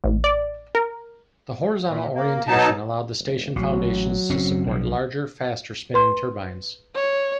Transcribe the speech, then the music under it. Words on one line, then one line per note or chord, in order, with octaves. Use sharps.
The horizontal orientation allowed the station foundations to support larger, faster spinning turbines.
A1
D5
A#4
A#2
A#3
B2 F#3 D#4 A5
F1
A1 F#3
F#1 C4 C#4
B1 G2 F3
B4 C6
C#5